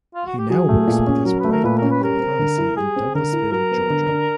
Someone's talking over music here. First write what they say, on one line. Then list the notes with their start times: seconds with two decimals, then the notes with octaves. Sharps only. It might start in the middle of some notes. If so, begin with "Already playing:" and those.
He now works with his wife at their pharmacy in Douglasville, Georgia.
0.15 F4
0.26 F#4
0.38 G4
0.50 F#3 G#4
0.69 A3
0.87 A#2
1.07 C#4
1.25 F#3 A#4
1.39 A3 B4
1.52 A#4
1.64 A#2 B4
1.78 C#4 A#4
1.90 B4
2.01 G3 A#4
2.20 C4
2.39 D3
2.58 E4
2.76 G3 G#4
2.96 C4
3.15 D3 A#4
3.33 E4
3.52 F#3 A#4
3.71 B3
3.90 D3
4.08 D4